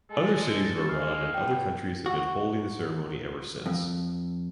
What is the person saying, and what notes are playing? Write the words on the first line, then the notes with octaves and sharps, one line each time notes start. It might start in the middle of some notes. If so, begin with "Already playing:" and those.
Other cities of Iran and other countries have been holding the ceremony ever since.
G#3 A4
G#3 F5
B2 G5
F#4
F2